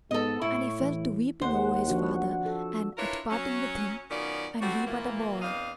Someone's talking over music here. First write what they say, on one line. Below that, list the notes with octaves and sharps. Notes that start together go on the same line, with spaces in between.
And he fell to weeping over his father and at parting with him, and he but a boy.
G#2 B3 A4 D#5
A2 E4 C#6
E3
D#2 C5 F#5
F3 D4 F#4
A4
D4 E4 F4 A#4 B4 C#5
F#3 C#4
D#3 F#3 B3 C#4 F4 D5
G3 A3 C4 F#4
A#2 E3 A#3
E2 C4 D4 D#5 F5